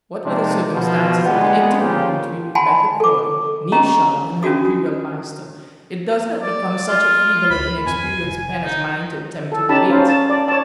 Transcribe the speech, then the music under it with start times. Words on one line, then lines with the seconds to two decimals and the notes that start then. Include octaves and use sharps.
What were the circumstances of the interview between Rebecca Crawley, nee Sharp, and her Imperial Master, it does not become such a feeble and inexperienced pen as mine to attempt to relate.
0.24 C3 F3 G#3 D4 D#4
0.72 B2 F3
1.24 A#2 G3 G#3 B3
1.78 A#2 C#3 F3 F4 G4
2.55 F#5 G#5 A5 B5 C6
3.00 A4 D6
3.72 C#4 G4 D#5 A#5
4.43 C#4 D4 F4 F#4 D#6
6.41 D5
6.89 F4
7.50 D2 B5
7.87 F2 G#5
8.23 F1
8.64 D#4
9.52 A4
9.69 C#4 D#4 G4 A5 B5
9.90 C#4 C5 F5
10.08 A5
10.30 D5
10.48 C#5 A5